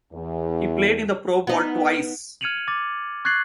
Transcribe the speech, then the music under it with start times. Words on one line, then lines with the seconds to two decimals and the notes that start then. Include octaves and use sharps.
He played in the Pro Bowl twice.
0.13 E2
1.47 B3 D#4
2.41 F6 G#6 C#7 D#7 F7 F#7
2.68 D6 A6
3.25 C#6 F#6 G#6 A6 C7 F#7